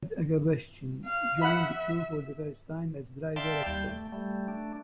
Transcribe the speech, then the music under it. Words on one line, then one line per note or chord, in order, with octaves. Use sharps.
Fred Agabashian joined the crew for the first time as driver expert.
F5
E5 F#5 B5
D5 E5 F5 G5 A5 C6
D#2 G3 G6
A3
G3 A3
A3 D4